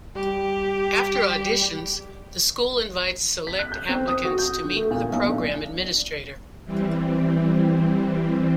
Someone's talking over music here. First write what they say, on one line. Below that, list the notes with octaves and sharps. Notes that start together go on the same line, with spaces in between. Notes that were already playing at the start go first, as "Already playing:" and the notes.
After auditions, the school invites select applicants to meet with a program administrator.
G3 G4
B6
F#6
G6
C4
D#6
F#4
G6
D3
A3
A#2
B1
D4
E3 G3 C4